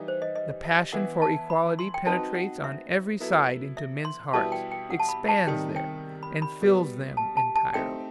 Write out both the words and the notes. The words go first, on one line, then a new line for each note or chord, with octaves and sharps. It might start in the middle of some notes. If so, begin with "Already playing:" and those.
The passion for equality penetrates on every side into men's hearts, expands there, and fills them entirely.
Already playing: E3 G3 D#4
C5
D#5
D#5
E5
E3 B3 E4 F#5
A5
B5
C6
G5
F#3 C4 D#4 F#4 B4 A5
F#5
E5
F#3 B3 E4 A4
E5
C6
B2 G3 B3 E4 G4 A5
G5
G5
F#5
A5
B5
A5
C3 D#3 G3 D#4 G5
G5
B5
B5
B2 G3 B3
A5
A5
A5
A3 C4 D#4 G4 G5